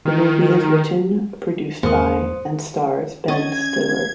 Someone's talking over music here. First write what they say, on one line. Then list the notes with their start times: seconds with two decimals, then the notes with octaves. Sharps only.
The movie is written, produced by and stars Ben Stiller.
0.05 D#3
1.83 G#1 E2 A#3 C5 D#6
3.28 C#4 C#5 D#5 D#6 G#6 A6